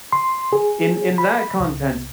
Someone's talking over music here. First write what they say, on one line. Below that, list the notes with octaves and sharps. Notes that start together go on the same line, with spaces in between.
in in that contents
C6
G#4
B5
C2